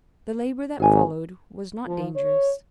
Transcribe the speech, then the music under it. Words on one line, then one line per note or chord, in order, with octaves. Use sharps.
The labor that followed was not dangerous.
G#1 G#4 G#5
F3
C#5